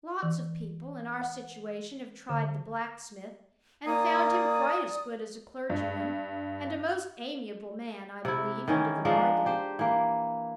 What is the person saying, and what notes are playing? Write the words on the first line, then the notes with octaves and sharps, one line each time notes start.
Lots of people in our situation have tried the blacksmith, and found him quite as good as a clergyman, and a most amiable man, I believe, into the bargain.
E3
F#5
D3
A#3 D5 G#5 A#5 D#6
G2
C3 E4
D#3 E3 C#4
F3 G#3 D4 A#4
G4 C5
E3 A#3